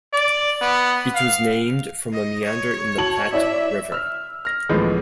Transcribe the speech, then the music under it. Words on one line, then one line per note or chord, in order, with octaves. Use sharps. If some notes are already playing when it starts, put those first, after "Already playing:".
It was named from a meander in the Platte River.
D5
B3
F5
D#5
C#5
F#4 A5 F#7
E4 C#5 D5 E5
E6 F6
F6 A#6
C#2 A2 E3 F3 G#3 B3